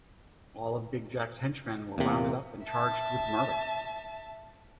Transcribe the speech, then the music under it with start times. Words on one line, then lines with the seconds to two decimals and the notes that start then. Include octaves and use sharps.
All of Big Jack's henchmen were rounded up and charged with murder.
1.98 E2 C3 A#3
2.66 E5 A5